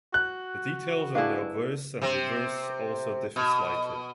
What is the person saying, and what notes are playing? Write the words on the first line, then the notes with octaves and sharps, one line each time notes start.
The details on the obverse and reverse also differ slightly.
F#4 F#6
D4 E4 G#4 B4 F5
C3 C4
B2